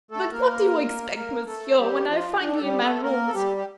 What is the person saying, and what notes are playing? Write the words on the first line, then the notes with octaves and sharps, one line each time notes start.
"But what do you expect, monsieur, when I find you in my rooms--?"
A3 A4
A#3 A#4
A#3 A#4
A3 A4
G3 G4
F3 F4
D4
A4
G3 G4
A3 A4
A#3 A#4
A4
G3 G4
G4